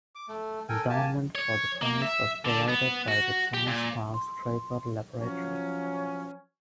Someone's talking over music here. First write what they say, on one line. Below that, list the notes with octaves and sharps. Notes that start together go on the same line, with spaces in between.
Endowment for the prize was provided by the Charles Stark Draper Laboratory.
D6
A3
A4 A#4 G5 G#5
A#3 G4 G#5 A5
C#5
A#3
E5
D3
B3
F#4
G4
A#2
C6
F3 F#3 C#4